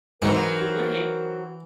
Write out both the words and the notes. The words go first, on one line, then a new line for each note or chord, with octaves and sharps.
a good
G#2 E3 F#3 C4 D#4 A#4 C#7